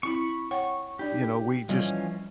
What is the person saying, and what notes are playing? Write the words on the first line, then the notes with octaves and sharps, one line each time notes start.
you know, we just
C4 E4 B5 C#6
C#5 F#5 G5 C#6
D4 D#4 G4 D5
E3 F3 G3 C#4 D#5